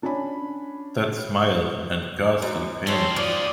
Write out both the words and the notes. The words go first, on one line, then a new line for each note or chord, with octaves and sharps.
That smile, and ghastly paleness!
C#4 D4 C#5 G#5 B5
F#2
C4 C#4 A4 C#5 C6
D#2 D#3 F3 D5 D#6